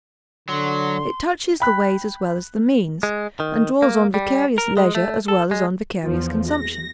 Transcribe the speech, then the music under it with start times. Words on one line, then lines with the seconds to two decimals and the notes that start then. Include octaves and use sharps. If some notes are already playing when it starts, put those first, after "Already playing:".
It touches the ways as well as the means, and draws on vicarious leisure as well as on vicarious consumption.
0.49 D3 F#3 C6
1.60 G5 B5 F#6
3.03 G#3
3.40 D#3
3.82 A#3
4.14 G3
4.58 A#4
4.77 G#3
4.95 A3
5.28 A4
5.51 G#3
6.05 E2 F3
6.51 A#6